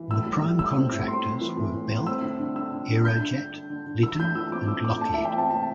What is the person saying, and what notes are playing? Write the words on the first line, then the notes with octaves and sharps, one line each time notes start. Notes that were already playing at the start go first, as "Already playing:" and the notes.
The prime contractors were Bell, Aerojet, Litton, and Lockheed.
Already playing: E3
A2 E6
G3
A2
A2 E6
C4
A2
C4 C6
C4
E3
A2
A2
A2
C4 E6
D3
D3
D3 E6
D3
D3
D3 G6
D3
D3
D3
D3
D3
E3 E6
A2 G6
E3 E6
C4 D6
A2 E6
A2 D6
A3 A5
E3 E5
G5
C4 A5
C3 A5